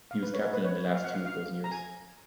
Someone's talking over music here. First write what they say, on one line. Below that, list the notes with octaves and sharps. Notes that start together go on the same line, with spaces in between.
He was captain in the last two of those years.
F5
B4
C#5
B4
C#5
F5
F#5
F5
F5
A#5
G#5